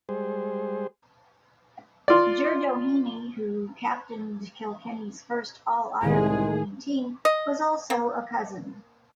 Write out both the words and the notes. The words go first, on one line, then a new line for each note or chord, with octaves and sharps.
Jer Doheny, who captained Kilkenny's first All-Ireland winning team, was also a cousin.
G3 G#3 G#4 C5
F4 D5
C2 A2 D#3 G#3 G#4
D#5
A#3